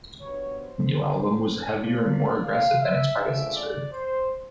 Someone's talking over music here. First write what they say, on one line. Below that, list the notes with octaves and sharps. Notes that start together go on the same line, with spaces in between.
The new album was heavier and more aggressive than its predecessor.
B2 G3 B3 D4 C#5
C5
A#2 F3 A#3 D5
F5
E5
F2 D3 F3 G#3 C#4 E5
D5
C5